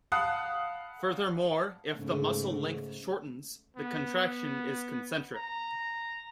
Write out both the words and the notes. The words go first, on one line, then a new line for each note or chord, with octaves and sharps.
Furthermore, if the muscle length shortens, the contraction is concentric.
F5 F#5 A5 B5 D#6 F#6
G#2 C#3 A3
B3
A#5